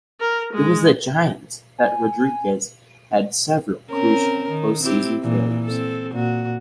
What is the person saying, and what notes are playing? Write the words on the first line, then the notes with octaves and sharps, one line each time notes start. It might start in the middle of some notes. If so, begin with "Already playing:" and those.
It was with the Giants that Rodriguez had several crucial postseason failures.
A#4
G#3
G#5
C4 C#4 A#4
D#3
C4 E4 G4
A#2 E3
C4 A4
A#2 F#4